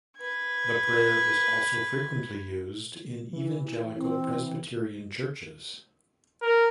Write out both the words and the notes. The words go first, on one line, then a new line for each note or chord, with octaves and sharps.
The prayer is also frequently used in evangelical Presbyterian churches.
B4 G#6
E3
C4
A#4